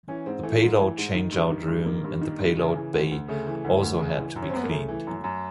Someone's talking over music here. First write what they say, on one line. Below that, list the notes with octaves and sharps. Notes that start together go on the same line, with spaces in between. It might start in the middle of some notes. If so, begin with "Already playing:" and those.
The Payload Change-out Room and the payload bay also had to be cleaned.
E3 C#4
G#2 C4
E3 A3
G#2
E3
G#2
D#3
G2
D#3
G2
D#3 A#3
G2
D#3
G2
C#3
E3
D2
D2
C#3 A3
E3
D2
D2
C#3
E3
F#2
C#4
C4
F#2 B3
A#3
C#3 A3
E3
F#2
F#2